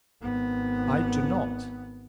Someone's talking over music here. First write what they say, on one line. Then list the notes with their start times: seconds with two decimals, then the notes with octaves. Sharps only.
I do not.
0.22 G#1 B3